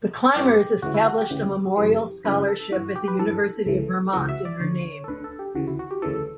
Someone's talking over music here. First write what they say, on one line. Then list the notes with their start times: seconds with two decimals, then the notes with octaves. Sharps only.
The Clymers established a memorial scholarship at the University of Vermont in her name.
0.36 G2 E3 G4
0.82 D2 C#3 E3 F#4
0.94 E4
1.06 F#4
1.18 G4
1.30 D2 C#3 E3
1.77 F#2 C#3 E3
2.24 F#2 C#3 E3 B4
2.48 A4
2.71 G2 E3 F#4
2.95 G4
3.08 B4
3.19 G2 E3 A4
3.66 C#2 C#3 E3
4.13 C#2 C#3 E3 F#4
4.29 E5
4.45 D5
4.60 D2 D3 C#5
5.04 A4
5.08 D2 D3 B4
5.24 A4
5.39 G4
5.55 D2 C#3 E3 F#4
5.67 E4
5.79 F#4
5.91 G4
6.02 D2 C#3 E3 A4